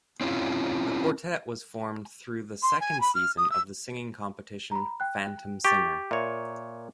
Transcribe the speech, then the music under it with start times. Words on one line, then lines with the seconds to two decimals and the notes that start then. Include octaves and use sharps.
The quartet was formed through the second season of the singing competition "Phantom Singer".
0.21 C4 C#4 E4 F4
2.63 C6
2.80 G#5
3.01 B5
3.15 F6
3.37 D#6
3.51 E6
4.72 A#5 B5
5.00 G5 F#6
5.65 G4 C#6 D6 A6
6.11 A#2 C#5 E5 C#6